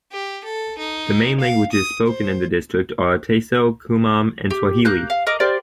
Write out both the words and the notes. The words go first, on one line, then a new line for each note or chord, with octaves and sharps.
The main languages spoken in the district are Ateso, Kumam, and Swahili.
G4
A4
D#4
F5
D#6
C5
G4
A#3 F#6 G6
F5
A#4 D#5 D6
G4 A#4 C5 D5